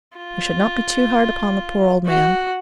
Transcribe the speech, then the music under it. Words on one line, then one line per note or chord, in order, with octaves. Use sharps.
We should not be too hard upon the poor old man.
F4
F#4